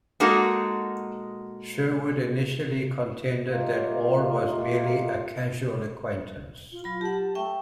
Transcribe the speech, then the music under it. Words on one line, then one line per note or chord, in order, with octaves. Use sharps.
Sherwood initially contended that Ore was merely a "casual acquaintance".
G#3 A#3 D#4 F#4 A4
G3 A3 A#3 D#4 F4
F4
F#3 F4 B5
G4 F#5 A5
A3 E5 G5 C#6